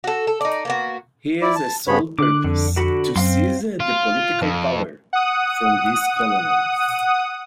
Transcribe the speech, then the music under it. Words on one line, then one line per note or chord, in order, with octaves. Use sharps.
He has a sole purpose: to seize the political power from these "colonels".
F#4 A4
A4
D#4 D5
A#3 B3 F#4
E4 D5
A5
G2 C#3 B3 C#5 B5
D3 D6 F#6
F2 D3
D3 F#4 B5
F#2 C4 F5 C6
F4
F2
F#5 D#6